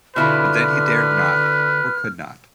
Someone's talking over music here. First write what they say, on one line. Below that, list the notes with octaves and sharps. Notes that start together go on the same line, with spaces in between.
But then he dared not — or could not.
B2 D3 E4 F4 B4 F6